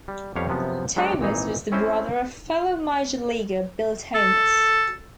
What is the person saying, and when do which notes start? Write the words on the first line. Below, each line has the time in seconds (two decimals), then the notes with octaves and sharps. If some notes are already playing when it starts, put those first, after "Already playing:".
Thomas was the brother of fellow Major Leaguer, Bill Thomas.
0.08 G3
0.36 F2 G3 B3 G4 C#5 F5
0.48 F#2 C3 F3 B3
0.96 F#3 G#3 B3 D4 G4
1.19 G#1 A#2 E3 D#4
1.72 C4 C#4 E4 A4 C5 D#5
4.15 A4